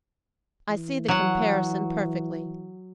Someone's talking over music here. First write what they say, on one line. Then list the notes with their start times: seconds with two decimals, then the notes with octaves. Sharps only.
I see the comparison perfectly.
0.70 E3
1.08 F#3 F#5